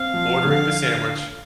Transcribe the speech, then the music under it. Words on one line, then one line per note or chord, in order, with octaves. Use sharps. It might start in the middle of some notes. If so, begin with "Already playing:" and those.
ordering the sandwich,
Already playing: C4 F5
F3
D3